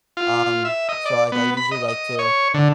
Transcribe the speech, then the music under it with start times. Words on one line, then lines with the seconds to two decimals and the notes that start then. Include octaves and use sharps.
Um, so, like, I usually like to,
0.17 F4
0.65 E5
0.89 D#5
1.06 D5
1.32 B3
1.57 B5
1.71 D#5
1.88 D#5
2.19 C#5
2.54 D3